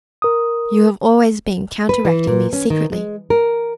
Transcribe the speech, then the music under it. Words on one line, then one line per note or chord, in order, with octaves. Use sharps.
You have always been counteracting me secretly.
A#4 D#6
B4
E3
A#2
C#4
D#3
G#3
A#4